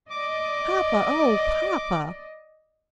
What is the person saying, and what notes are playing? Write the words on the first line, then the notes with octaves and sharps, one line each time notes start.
"Papa--oh, papa!"
D5 D#5 D6